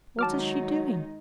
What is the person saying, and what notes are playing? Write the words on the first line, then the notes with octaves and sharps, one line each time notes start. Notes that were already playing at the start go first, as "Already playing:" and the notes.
"What is she doing?"
D#3 F#3 G#3 D#4 A5 D6 F6